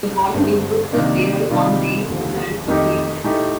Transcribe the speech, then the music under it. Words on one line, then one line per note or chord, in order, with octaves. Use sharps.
The volume includes the playwright "On Baile's Strand: A Play".
G2 D3 A3 C4
C3 D#3 A#3 D4
C3 D#3 G3 D4 F4
D#2 D3 F3
F2 D#3 A3 D#4 G4
A2 A3 D#4 G4